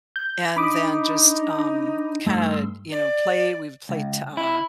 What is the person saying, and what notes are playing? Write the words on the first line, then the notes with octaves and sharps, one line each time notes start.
And then just, um, kinda, you know, play we've played, uh,
G6
D4 D#4 B5 D6 D#6
G2 A3 A5 C6 E6
D5
C#2
E4